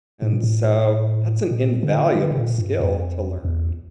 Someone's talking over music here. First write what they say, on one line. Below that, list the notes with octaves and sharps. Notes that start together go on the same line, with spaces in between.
and so that's an invaluable skill to learn.
A2
A#2
A2
A#2
D3
D3
C3
A#2
G2
F2
E2